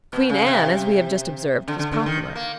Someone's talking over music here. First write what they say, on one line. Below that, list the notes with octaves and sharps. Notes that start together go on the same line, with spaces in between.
Queen Anne, as we have just observed, was popular.
B2
C#3
C3
D3
D3
D3
D#3
A#3